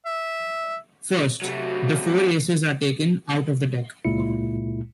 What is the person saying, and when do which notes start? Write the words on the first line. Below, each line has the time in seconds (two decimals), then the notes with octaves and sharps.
First, the four aces are taken out of the deck.
0.06 E5
1.42 C3 F#3 A3 F#4
4.05 C#2 A#2 G#3 E4 C#7